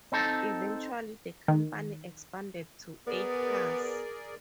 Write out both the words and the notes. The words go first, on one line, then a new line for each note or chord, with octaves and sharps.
Eventually the company expanded to eight cars.
C4 D#4 A4
D#3
B3 G#4 A#4 D5